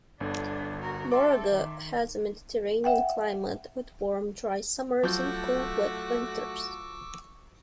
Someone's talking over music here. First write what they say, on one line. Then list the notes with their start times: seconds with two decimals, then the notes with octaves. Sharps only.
Moraga has a Mediterranean climate, with warm, dry summers and cool, wet winters.
0.20 G1 D3 D4
0.82 F#4 A#4
1.12 A4 E5 C6 D6
1.52 D#3
2.84 E5 F#5 G5
5.03 F3 F#3 A3 F#4 C#6 D6 E6 G6